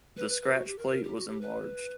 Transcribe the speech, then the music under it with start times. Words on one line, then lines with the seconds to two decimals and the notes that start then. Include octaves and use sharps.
The scratch plate was enlarged.
0.17 B4
0.29 B4
0.42 B4
0.54 F#4
0.66 G4
0.79 A#4
0.87 B4
0.91 A#4
1.03 G4
1.16 F#4
1.29 G4
1.41 B4